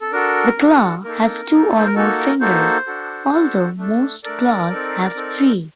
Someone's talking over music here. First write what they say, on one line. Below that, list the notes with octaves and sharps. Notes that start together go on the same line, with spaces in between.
The claw has two or more fingers, although most claws have three.
A4
D4 F#4 A4 A#4
D4 F#4 A4
A#3 D#4 A4 A#4
A#3 D#4 A4
C5
A#4
A#3 D#4 F#4 A4
A#4
A#3 D#4 F#4 A4 C5
D4 F#4 A4
D4 F#4 A4
A3 D4 A4
A3 D4 A4 A#4 D5
C4 D#4 A4
C4 D#4 A4